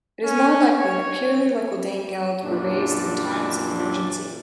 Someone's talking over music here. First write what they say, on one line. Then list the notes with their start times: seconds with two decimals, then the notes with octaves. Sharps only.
It is more likely that purely local danegeld were raised in times of emergency.
0.24 C#4
0.77 C#5
2.43 F#2 A#2 E3 G3 D4